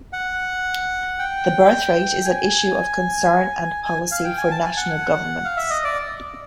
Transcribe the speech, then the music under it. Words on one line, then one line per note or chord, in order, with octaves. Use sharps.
The birth rate is an issue of concern and policy for national governments.
F#5
G5
G#5
G#5
F5
G5
G#5
A5
G#5
F#5
F5
E5
D#5
D5